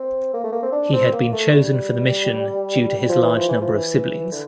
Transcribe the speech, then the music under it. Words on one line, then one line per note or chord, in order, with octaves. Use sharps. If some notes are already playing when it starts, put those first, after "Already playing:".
He had been chosen for the mission due to his large number of siblings.
Already playing: C4
A#3
A3
A#3
C4
D4
C4
A#3
A3
G3
F3
E3
F3
E3
F3
E3
D3